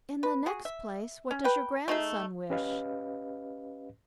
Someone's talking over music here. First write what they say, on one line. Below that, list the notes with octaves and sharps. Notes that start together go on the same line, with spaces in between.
"In the next place, what does your grandson wish?"
B4
F#4 G#4
E5
C#4
B4 G5
A3 D#4 G#4 E5
C#4 G4 B4 D#5 F5